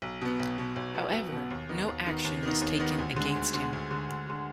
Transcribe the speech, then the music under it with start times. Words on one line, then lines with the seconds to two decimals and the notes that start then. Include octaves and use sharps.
However, no action was taken against him.
0.02 B1
0.21 B2 B3
0.40 B1
0.58 B2 B3
0.76 B1
0.95 B2 B3
1.13 B1
1.32 B2 B3
1.50 D#2
1.69 D#3 B3 D#4
1.88 D#2
2.06 D#3 B3 D#4
2.24 D#2
2.43 D#3 B3 D#4
2.61 D#2
2.79 D#3 B3 D#4
2.98 D2
3.16 D3 G#3
3.36 D2
3.54 D3 G#3
3.73 D2
3.91 D3 G#3
4.09 D2
4.27 D3 G#3